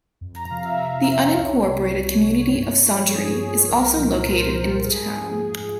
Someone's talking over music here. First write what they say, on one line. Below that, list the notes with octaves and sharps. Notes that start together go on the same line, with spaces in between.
The unincorporated community of Sauntry is also located in the town.
F2
A#5
C3 F3 F5
E5
F2
C3 F3
C2 C#5
C3 G3
C2
C3 G3
G2
F3
G2 G#4
F3
C2 A#4
A#2 F3
C2 C5
A#2 F3
G#2 G#4
F3 G#4
G#2 G#4